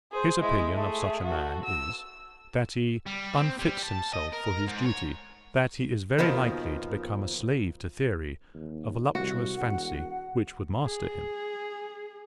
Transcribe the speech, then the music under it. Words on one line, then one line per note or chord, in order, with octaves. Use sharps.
His opinion of such a man is, that he unfits himself for his duty, that he is very likely to become a slave to theory--a voluptuous fancy, which would master him.
G#4 C5
G#3 E4
A3 G#4
F#4 A4
E6
G3
C4
G3
A5
D#5
A#4
G#2
C#5
D#2 B2 D#3 F3
D#2
C2 F#4
E1 F#5
G#4